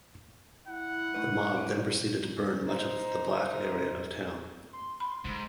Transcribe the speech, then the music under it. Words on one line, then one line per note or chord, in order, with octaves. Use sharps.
The mob then proceeded to burn much of the black area of town.
E4 F#5
A3 D#4 B4
A2 B4 D5
D#4 C5
C6
B5
G#2 D3 G#3